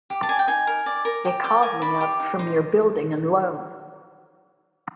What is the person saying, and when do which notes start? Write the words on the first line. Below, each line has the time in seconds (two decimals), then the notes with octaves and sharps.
They called me up from your Building and Loan.
0.10 G4
0.23 A5
0.29 D5 G#5
0.39 G5
0.48 D#4 G#5
0.67 A#4
0.86 D5
1.05 A#4
1.25 G4
1.44 D5 G5
1.62 A#4 G#5
1.82 D5 B5
2.00 G4 C6
2.20 D#4
2.39 D#4 C6